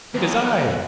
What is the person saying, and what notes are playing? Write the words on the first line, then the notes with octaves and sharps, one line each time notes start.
"It is I."
D#2